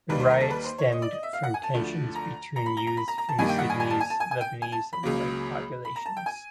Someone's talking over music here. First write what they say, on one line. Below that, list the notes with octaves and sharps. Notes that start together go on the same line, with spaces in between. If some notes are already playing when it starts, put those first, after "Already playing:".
The riots stemmed from tensions between youths from Sydney's Lebanese and white populations.
D#2 D#3 G3 A#3 B4
C5
A#4
A4
B4
C5
C#5
D#5
D5
D#5
E5
F5
F#5
G#5
A5
D2 D3 F3 A3
A#5
A#5
B5
A#5
A#5
B5
A#5
A#5
A5
G2 D#3 G3 A#3 G#5
G5
F#5
G#5
G#5
A5
G#5
A5
G#5
G#5
G5
G#5
A5
B5
C#2 C#3 F#3 A#3
B5
A#5
A5
G5
G#5